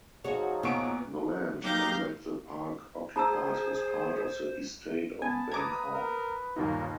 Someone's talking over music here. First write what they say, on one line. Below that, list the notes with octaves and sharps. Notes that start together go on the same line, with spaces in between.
The land that the park occupies was part of the estate of Bank Hall.
F3 F#3 D#4 F#4 G#4 C#5
A#2 B3 C#6 D7
F#3 A#3 D#4 G4 F5 D6 G6 A#6
G#4 C5 A5 A#5 E6
B3 G#5 A5
B4 A#5 D6 D#6 G#6
A#4
G1 D#2 A#2 A#3 D#4